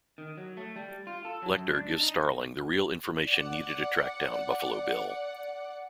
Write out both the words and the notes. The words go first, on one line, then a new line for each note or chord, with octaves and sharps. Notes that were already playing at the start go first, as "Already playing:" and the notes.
Lecter gives Starling the real information needed to track down Buffalo Bill.
D#3
F#3
A3
G3
F4
A4
F#3
F#2
D4
D#4
D5 F#5